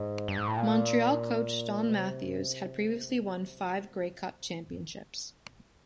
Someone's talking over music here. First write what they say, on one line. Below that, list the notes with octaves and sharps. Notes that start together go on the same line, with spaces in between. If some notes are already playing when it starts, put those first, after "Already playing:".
Montreal Coach Don Matthews had previously won five Grey Cup championships.
Already playing: G#2
G2
G#2
A2
A#2
B2
C3